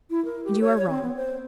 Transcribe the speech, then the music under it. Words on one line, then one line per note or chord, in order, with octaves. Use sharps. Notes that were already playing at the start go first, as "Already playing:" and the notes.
"And you are wrong."
E4
A#4
G4
C#5
C#5
C4
B3
C5